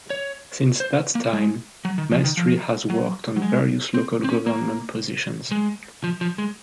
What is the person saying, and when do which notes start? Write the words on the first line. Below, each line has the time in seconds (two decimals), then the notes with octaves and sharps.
Since that time, Maestri has worked in various local government positions.
0.10 C#5
0.80 C5
1.15 A#3
1.33 G#3
1.85 F#3
1.98 D#3
2.11 F3
2.24 D#3
2.37 F3
2.90 F#3
3.36 F#3
3.42 G#3
3.94 C4
4.24 C4
4.29 C#4
4.46 A#3
5.51 G#3
6.04 F3
6.21 F3
6.38 G#3